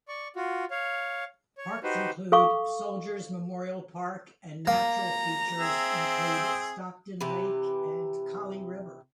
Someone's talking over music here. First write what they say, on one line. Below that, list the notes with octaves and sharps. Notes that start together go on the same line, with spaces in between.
Parks include Soldier's Memorial Park and natural features include Stockton Lake and Collie River.
D5 C#6
F4 F#4
C#5 F5
C#5
D#4 F#4 G4 B4 C5
A4 F5 C#6 D6
A#3 A#5
C4 G#4 E5
C3 E3 G4 B4